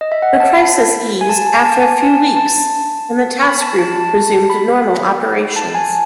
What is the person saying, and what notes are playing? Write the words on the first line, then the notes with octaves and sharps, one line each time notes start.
The crisis eased after a few weeks, and the task group resumed normal operations.
D#5
E5
F#5
A5
B5
G#5
A5
A5
A5
G#5
A5
A5
B5
A5
A5
A5
B5
A5
G#5